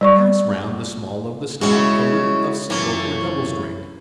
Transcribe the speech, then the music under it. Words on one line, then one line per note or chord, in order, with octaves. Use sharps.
Pass round the small of the stock a loop of single or double string.
G3 D5 C#6
C#3 G#3 C#4 E4 F#4
F#2 E3 A3 A#3 C#4